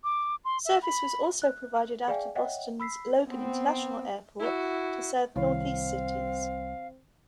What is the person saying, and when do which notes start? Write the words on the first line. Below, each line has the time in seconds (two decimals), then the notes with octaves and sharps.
Service was also provided out of Boston's Logan International Airport to several Northeast cities.
0.04 D6
0.45 C6
0.65 E5
0.83 B5
1.42 F#6
2.08 G#4 D5 E5 F5 G5 G#5
2.35 C#5 D#5 E5 F#5 G5
2.80 B5 E6 B6 C7
3.28 B3 C4
4.39 E4 F#4
5.36 C2 D#3 C4 E4 C#5 F5